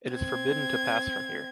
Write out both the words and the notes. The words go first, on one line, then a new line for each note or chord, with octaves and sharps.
It is forbidden to pass from here.
C4 G#6